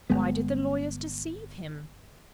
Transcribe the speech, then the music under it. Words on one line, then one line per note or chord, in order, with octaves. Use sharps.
"Why did the lawyers deceive him?"
G1 G#3 B3